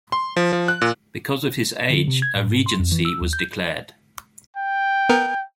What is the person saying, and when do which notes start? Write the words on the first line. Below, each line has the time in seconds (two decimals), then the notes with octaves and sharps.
Because of his age, a regency was declared.
0.12 C6
0.36 F3
0.53 F3
0.68 F#6
0.82 A#2
1.90 D3
2.08 C3
2.22 G#6
2.36 A2
2.47 G#2
2.66 C6
2.79 F2
2.92 E3
3.05 E6
3.21 D#2
3.33 G6
4.56 G5
5.09 B3 A#4